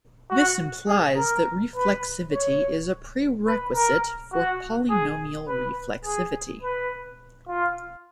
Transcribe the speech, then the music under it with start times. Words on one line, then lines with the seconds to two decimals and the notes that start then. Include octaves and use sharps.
This implies that reflexivity is a prerequisite for polynomial reflexivity.
0.30 F#4
0.88 G#4
1.16 A#4
1.74 B4
2.31 C#5
3.47 B4
3.75 A#4
4.33 F#4
4.90 G#4
5.48 B4
6.05 G#4
6.62 B4
7.49 F4